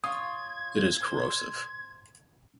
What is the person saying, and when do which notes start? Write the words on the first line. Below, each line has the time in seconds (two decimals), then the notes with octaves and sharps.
It is corrosive.
0.04 F4 C#5 D#6 G#6
1.00 C5